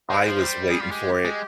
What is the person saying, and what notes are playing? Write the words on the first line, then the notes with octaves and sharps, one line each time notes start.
I was waiting for it.
G#3 C5
A#4
F3 C5
G#3
G3
G#4
F4
G#3 G4
G#3